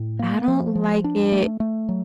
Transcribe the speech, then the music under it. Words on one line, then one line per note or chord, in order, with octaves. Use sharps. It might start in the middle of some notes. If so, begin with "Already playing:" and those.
I don't like it
Already playing: A2
A#3
F3
F3
D4
A3
A3
F#3